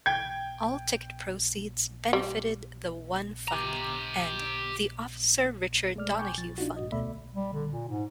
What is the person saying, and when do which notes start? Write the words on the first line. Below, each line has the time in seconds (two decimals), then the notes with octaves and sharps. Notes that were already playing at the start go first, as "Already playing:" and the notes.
All ticket proceeds benefited The One Fund and The Officer Richard Donohue Fund.
0.06 G5 G#6
2.13 G3
3.48 G4 A#5
5.96 G#3 A3 D5 F6
6.19 G5 G#5 B5 C#6 D6 G6
6.38 F3 A6
6.58 D4 D#4 F4 F#4
6.76 G#2 F#4 D#5
6.92 D2 B2 A3 D5 E5 B5
7.35 G3
7.53 D3
7.71 A#2
7.88 G#2